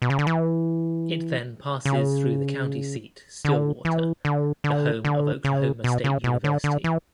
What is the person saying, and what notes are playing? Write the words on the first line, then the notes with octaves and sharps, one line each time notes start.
It then passes through the county seat, Stillwater, the home of Oklahoma State University.
B2
C#3
D3
E3
C#3
D3
E3
D3
D3
D3
C#3
B2
C#3
B2
D3
D3
E3